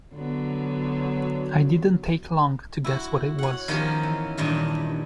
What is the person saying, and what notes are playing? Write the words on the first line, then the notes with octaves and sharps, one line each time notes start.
I didn’t take long to guess what it was.
D3 F#3 B3
E4 F#4
C#5 F#5
D#3 F3 B3 C#4 G4 A#4
E3
G2 A#2 D#3 E3